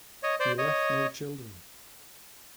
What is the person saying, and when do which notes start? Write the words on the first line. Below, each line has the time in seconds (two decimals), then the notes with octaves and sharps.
He left no children.
0.23 C#5 D#5
0.40 C5 D5
0.58 C#5 D#5